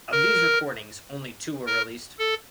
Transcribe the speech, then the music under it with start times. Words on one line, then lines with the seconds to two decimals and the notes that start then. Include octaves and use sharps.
Of these recordings, only two were released.
0.12 A#4
1.67 A#4
2.19 A4